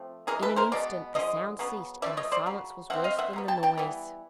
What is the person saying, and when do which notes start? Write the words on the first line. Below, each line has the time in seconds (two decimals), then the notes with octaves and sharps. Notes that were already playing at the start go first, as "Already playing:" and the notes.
In an instant the sound ceased and the silence was worse than the noise.
Already playing: F3 A3 C4
0.27 C#3 E3 G#3 G#4 A#4
0.43 A4 B4
0.56 A#4 C5
0.72 B2 G#3 B3 D5
1.15 D3 F3 C#4 D#5
1.59 C#3 F#3 B3
2.02 F3 A3 C#4 D5 E5
2.17 C#5 D#5
2.32 C5 D5
2.46 C#3 F#3
2.90 F3 A3 C4 E5 F#5
3.04 D#5 F5
3.19 E5 F#5
3.33 C#3 F#3 B3
3.48 G5 A5
3.63 G5 A5
3.78 E3 G3 B3